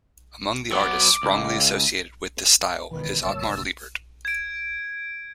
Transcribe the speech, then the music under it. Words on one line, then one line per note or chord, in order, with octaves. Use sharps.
Among the artists wrongly associated with this style is Ottmar Liebert.
F#3 B3 D6
C#2
C#2 B2 D#3 E3 B4
G1 C2 A#3 C#5 A5 E6
G#6 D7